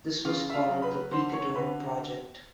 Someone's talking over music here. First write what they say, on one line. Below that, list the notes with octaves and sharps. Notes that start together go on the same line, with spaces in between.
This was called the Picador project.
C#3 F4 F5
E5
F4 F5
F#3
B4 B5
D3 C5 C6
C#5 C#6
D3 B4 B5